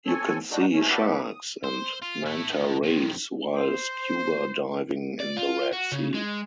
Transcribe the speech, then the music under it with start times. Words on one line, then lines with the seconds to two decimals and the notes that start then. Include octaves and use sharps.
You can see sharks and manta rays while scuba diving in the Red Sea.
0.06 C4 A4 C#5 G#5
0.51 G3 D4 D#4 F#4
0.73 G#2 A3 C#4
0.88 A#2 F#4 G4 B4 E5 A5
1.07 B4
1.24 D#6
1.64 C5
2.02 F4
2.26 A3 E4
2.52 D3 D#3
2.84 F2 D#3
3.55 C5
5.20 D5
5.37 F4
5.73 F#4
5.92 C#3
6.14 G#3